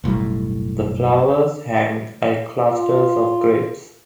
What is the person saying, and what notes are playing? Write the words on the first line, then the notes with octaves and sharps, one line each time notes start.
The flowers hang like clusters of grapes.
F#1 B1 A2 G3
F4